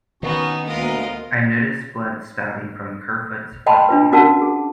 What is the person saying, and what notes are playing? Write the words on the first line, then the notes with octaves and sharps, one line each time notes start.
I noticed blood spouting from Kerfoot's left hand.
D#3 B3 C#4 D#4 F#4
D2 A#2 G#3 B3 F4 A#4 D#5
D#5 G5 A5 B5 C6
D4 F4 B4
C#4 F#4 A#4 F#5 A5
G#4